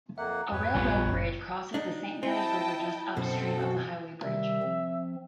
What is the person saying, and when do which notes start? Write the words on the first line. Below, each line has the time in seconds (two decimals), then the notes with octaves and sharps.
A railroad bridge crosses the Saint Marys River just upstream of the highway bridge.
0.18 F2 A#3 E5 F#5
0.52 F2 G#2 B4 C#5
0.75 A#1 G3 B3 F4
1.06 G1 F#2
1.74 D4 D#4
2.23 C4 E4 D#5 G5 A5
3.16 F#2 B2 C4 A4
3.56 F#4
4.23 C3 D#3 G3 E5
4.63 F3 C4